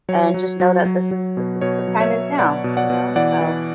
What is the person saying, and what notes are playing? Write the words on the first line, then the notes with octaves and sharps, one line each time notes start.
and just know that this is this is the time is now, you know, so
F#3 C#5
F#3
F#3
F#3
F#3
B2
B2 C#5
F#3
C#5 E5
F#3
B2 D5 F#5
B2
D5 F#5
B2
E3 D5 F#5
E3